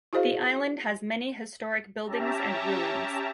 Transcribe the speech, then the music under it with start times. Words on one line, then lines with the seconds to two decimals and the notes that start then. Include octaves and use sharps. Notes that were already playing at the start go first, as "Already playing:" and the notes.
The island has many historic buildings and ruins.
0.13 E4 F#4 G#4 C5 D#5 F5
2.06 C#4 G4 E5 A5 A#5